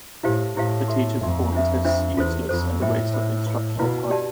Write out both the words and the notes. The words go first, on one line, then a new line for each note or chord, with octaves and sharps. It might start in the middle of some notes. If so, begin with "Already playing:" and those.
The teachers called the tests useless and a waste of instructional time.
A2 E4 G4 C5 F5
A2 E4 G4 C5 F5
A4 E5 A5 C6
F2 A4 E5 A5 C6
D4 F4 C5 E5
D4 F4 C5 E5
E2 F4 A4 C5
F2 F4 A4 C5
A2 C5 E5 G5 B5
C5 E5 G5 B5
E4 B4 F5 B5
B2 E4 B4 F5 B5
G4 D5 A5